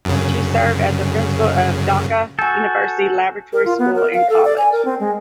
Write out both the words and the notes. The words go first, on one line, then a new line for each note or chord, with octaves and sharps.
She served as the Principal of Dhaka University Laboratory School and College.
F#2 C#3
F#4 A4 G#5 G6
A#4
F4
B3
A#4
F5
A4
D5
G#5
A#4
C4
G#3